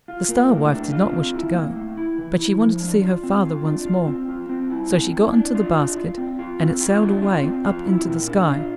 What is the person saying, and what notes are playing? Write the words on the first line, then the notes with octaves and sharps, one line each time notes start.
The Star-wife did not wish to go, but she wanted to see her father once more, so she got into the basket and it sailed away up into the sky.
F4
A#3
A2
D4
F4
C4
E4
A#3
A2
E4
E3
E4
F3
D4
F4
C4
F4
D4
F4
C4
F4
C4
E4
C4
E4
D4
F4
D4
F4
C4
F4
C4
F4
D4
F4
C4
F4
E4
A#2
D4
F4